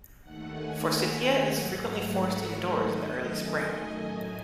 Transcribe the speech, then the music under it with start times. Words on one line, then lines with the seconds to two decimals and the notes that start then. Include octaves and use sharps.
Forsythia is frequently forced indoors in the early spring.
0.21 D#2 D#3 A3 F#5
0.53 G#5
0.84 F#5
1.48 G#2 F#3 A3
2.11 E5
2.74 F#2 D#3 A3 D#5
3.38 G#5
4.01 A2 F#3 A3